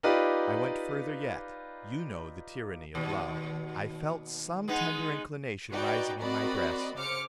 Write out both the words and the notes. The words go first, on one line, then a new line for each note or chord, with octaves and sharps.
I went further yet: you know the tyranny of love: I felt some tender inclination rising in my breast.
D#4 F4 G4 B4 D5
D#2 B2
G#3 B3 D#4
D#4 F#4 B4 D5 D#5 G5
C4 F#4 A#4 D5 D#5 B5
C#3 C5 D6 F6 C#7